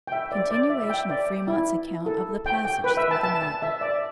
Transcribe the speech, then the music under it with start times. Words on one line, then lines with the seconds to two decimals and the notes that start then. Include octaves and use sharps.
Continuation of Fremont's Account of the Passage Through the Mountains.
0.07 G5
0.12 E5
0.32 D5
0.51 D5
0.70 E5
0.82 E5
0.90 G5
1.10 D5
1.48 E4
2.06 A4
2.46 G5
2.65 G5
2.84 B4
2.97 E5
3.11 A5
3.23 A5
3.42 A5
3.62 E5
3.81 D5